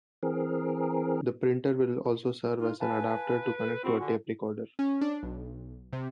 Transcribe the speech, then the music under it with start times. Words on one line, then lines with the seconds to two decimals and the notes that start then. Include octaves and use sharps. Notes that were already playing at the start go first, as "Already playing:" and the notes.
The printer will also serve as an adapter to connect to a tape recorder.
0.23 E3 C4 G#4 A#4
2.60 D#4 F4
2.80 B4 F5 G#5 A5 B5
3.58 A4
3.84 C4 F4 F#4 B5 C#6
4.00 D3 G#5
4.79 C#4
5.01 D4
5.23 B1
5.93 C3